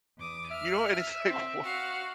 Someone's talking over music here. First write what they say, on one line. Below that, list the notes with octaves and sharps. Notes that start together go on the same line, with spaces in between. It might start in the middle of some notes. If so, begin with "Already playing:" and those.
You know, and it's like, wha
E2 D6 D#6
E5 F6
C4
F#4 F5